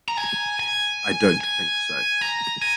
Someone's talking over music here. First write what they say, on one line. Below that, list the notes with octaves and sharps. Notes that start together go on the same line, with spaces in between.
I Don't Think So.
A#5
G#5
G#5
G#5
A#5
G#5